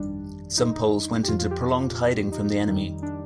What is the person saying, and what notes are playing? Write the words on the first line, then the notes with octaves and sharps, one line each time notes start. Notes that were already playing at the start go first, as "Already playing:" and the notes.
Some Poles went into prolonged hiding from the enemy.
Already playing: G1 F2 D#3 G3 D4
D#4
D#4
G4
F2 D3 F3 F4
F4
G4
F4
D#4
F2 D#3 G3
D4